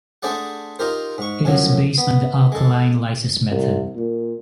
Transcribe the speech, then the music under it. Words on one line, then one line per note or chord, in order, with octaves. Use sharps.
It is based on the alkaline lysis method.
A3 D4 G#4 C5 D5 F#5
D#4 F4 G4 A#4 C5
G#2 C#6
F#2 A2 F3 F#3
B3
G#3 A4
C2
A#2